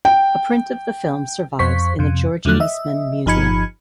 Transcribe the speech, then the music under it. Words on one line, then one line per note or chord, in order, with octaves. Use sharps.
A print of the film survives in the George Eastman Museum.
G5
F2 C5 C#6 B6
F2 C3
E2 D3 F3 F#3 A3 F#6
D#5 E5
G1 F3 D#4 B5 G#6 C#7